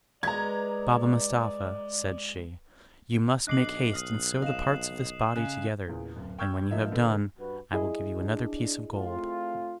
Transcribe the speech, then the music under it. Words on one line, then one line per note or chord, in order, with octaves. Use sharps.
"Baba Mustapha," said she, "you must make haste and sew the parts of this body together; and when you have done, I will give you another piece of gold."
G#3 B4 D5 A#5 G#6
B1 D4 D#5 D6 F#6 C7 F#7
D#6 F6
D#5 F5 D#6 E7
C#3 F#6
E2 A#2 C#3
D1 F#2
G5 C#6 E6 F6 G6 G#6
G2 F3 A#3 D#4 E5
B2 D3 A#3 B3
G2 F#4 B4
G3 E4 G#4 D#5
D4
A3 C4 F4